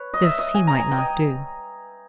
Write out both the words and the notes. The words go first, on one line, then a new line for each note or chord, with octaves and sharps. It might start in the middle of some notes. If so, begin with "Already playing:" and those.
This he might not do.
Already playing: B4 C#5
D#5
E5
D#5
G#5
A#5
G#5
G5
D#5